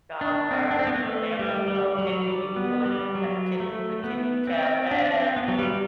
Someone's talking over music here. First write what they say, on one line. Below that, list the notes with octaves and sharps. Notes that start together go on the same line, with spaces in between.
Dog parks, you know, they have those little kitten, you can go in and pet the kitten, the kitty cafe
D4
C4
D4
C4
B3
A3
G3
G3
F#3
G3
B3
G3
F#3
A3
B3
C4
D4
C4
B3
F#3
G3